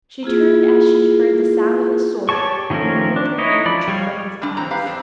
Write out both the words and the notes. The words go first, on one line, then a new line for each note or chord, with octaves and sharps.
She turned as she heard the sound of his sword, and removed her handkerchief from his eyes.
A#3 E4 F4 G#4
G4 C#5 D5 A5 C#6
D#3 F3 A3 C#4 A#4
D4
D#4 E4 C#5 D#5
F3 D5 B5
G3 C#5 F5
G3 D4
G#2 E3 C4 A#5
G4 B4 F5
F2 C4 D4